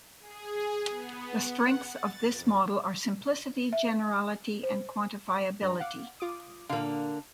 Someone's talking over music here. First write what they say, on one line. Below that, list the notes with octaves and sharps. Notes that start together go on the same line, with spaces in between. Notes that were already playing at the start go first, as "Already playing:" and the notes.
The strengths of this model are simplicity, generality, and quantifiability.
G#4
B3
F#5
A6
F2
E5
C5
G2 A#5
F5 F#5 D6
F4 D6 D#6
A#2 D3 A#3 F5